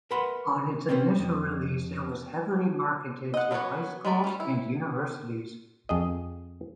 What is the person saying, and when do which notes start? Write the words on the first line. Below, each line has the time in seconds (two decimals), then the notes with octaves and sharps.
On its initial release it was heavily marketed to high schools and universities.
0.11 A#4 B4 E5 F#5 B5 C6
0.89 C4 C#4 B4 C5
1.19 F2
3.34 D#5 F#5
3.51 F#3 G3 B3 F#4 C#5
4.05 G#3 A3 D5
4.24 G3 C#4
4.40 E4
5.89 F2 G#4 D#5